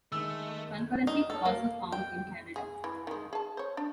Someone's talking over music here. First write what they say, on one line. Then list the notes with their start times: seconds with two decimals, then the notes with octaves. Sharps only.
Concurrencies are also found in Canada.
0.12 D#3 G#3 A3 E6
1.07 D#4
1.30 A4
1.45 A#3
1.92 G5
2.56 G#4
2.84 E3
3.07 D#3 G#3
3.33 G#4 A5
3.57 C5 C#5
3.77 D4